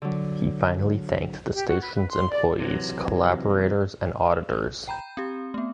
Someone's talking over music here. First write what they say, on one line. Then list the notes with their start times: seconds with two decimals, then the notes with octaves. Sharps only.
He finally thanked the station’s employees, collaborators and auditors.
0.02 D3 F#3
1.54 G4
1.67 F#4
1.81 B4
1.95 B4
2.09 C6
2.31 D5
2.60 C3 E3 F#3
4.88 G5 A#5 B5 G6
5.17 C4 G4
5.54 A3 B3